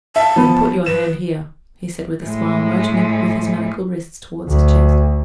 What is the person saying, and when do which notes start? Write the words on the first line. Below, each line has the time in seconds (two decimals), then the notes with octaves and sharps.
"Then put your hand here," he said, with a smile, motioning with his manacled wrists towards his chest.
0.16 E5 F5 A5
0.36 F3 B3
0.86 B4 E7
2.23 A2 G#3
4.48 D2